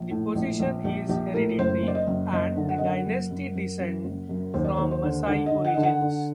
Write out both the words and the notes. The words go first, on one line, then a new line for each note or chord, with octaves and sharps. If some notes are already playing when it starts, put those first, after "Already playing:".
The position is hereditary, and the dynasty descend from Maasai origins.
Already playing: A#1
A2
A#1
A#1
A#1 G4
A#1 G4
A2 A#4
F#1 C5
F#1 D5
D#5
F#1
F#1 D#5
D3
F#5
F#2 D#5
F#5
F#1
F#2
F#2
F#2
F#1
F#2
D#2 C5
D5
D#2 C5
C5
D3
D3 D5
D#5
D3
F#5
D3 D#5
F#5
D3